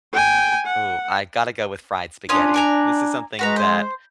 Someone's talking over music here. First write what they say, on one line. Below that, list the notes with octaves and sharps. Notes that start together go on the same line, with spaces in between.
Ooh, I gotta go with fried spaghetti. This is something that
G5 G#5
F#5
C#4 D4 F4 D#6
D5 G#5 A#5
G#3 F#4 B4 A#5
C5